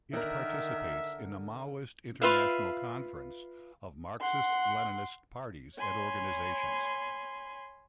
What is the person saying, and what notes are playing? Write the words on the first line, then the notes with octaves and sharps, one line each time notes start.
It participates in the Maoist International Conference of Marxist-Leninist Parties and Organizations.
D3 D#3 A#4 E5
F4 B4 E5 F5
F#5 C6
C#5 G#5 B5 C6